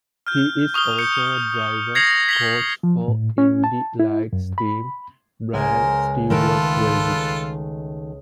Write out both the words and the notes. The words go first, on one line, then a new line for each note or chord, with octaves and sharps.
He is also a driver coach for Indy Lights team Brian Stewart Racing.
F6 G6
C#6 D#6 F6 G7
G6 C#7
G#6 A#6 C7 C#7 F7 F#7
B6 F#7 G7
F3
A2
C#4
A5
E4
F#2
B5
C#2 A#4 C5 G#5
D#3 A3 F4 A4 B4 G5